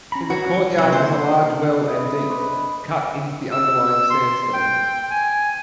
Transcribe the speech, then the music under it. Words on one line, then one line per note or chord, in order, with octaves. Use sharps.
In the courtyard was a large well and deep, cut into the underlying sandstone.
C#4 A#5 B5
F#3 F#4 C#5
C3 F#3 F#6
A#3 E4 C5
B4 D#5 E5
G#4 B4 C5 D5
D4
E6
C6
G5
G#5